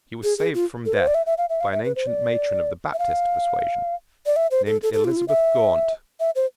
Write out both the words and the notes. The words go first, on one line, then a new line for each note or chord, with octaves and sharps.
He was saved from death by an ancient matron of the Baptist persuasion, named Elizabeth Gaunt.
G#4
G#4
F4
A4
B4
C5
D5
E5
E5
F5
E5
F5
E5
B4
C5
D5
E5
F5
D5
E5
C5
A4
A4
A4
F4
E4
F4
E5
E5
C5